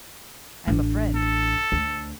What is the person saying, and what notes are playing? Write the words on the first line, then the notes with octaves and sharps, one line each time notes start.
"I am a friend."
A1 D4
A4
D2